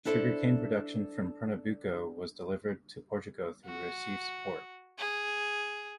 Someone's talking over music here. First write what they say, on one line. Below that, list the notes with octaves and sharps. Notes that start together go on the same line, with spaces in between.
Sugar cane production from Pernambuco was delivered to Portugal through Recife's port.
D4 E4 A4 C5 D5
F#4
G#4